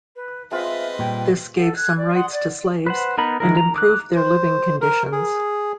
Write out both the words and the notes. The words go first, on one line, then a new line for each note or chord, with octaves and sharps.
This gave some rights to slaves and improved their living conditions.
B4
G#3 C4 F4 B4 D#5 E5
A#2 G3 G5
A4 F#5
F#6 G#6
D5
F#5 C6 D#6
D5
B4 C5 F#5
B3 D#4 A#4 B5
D#3 G#3 E4 A#4
A#5
D6 F#6
C5
A#4
G#4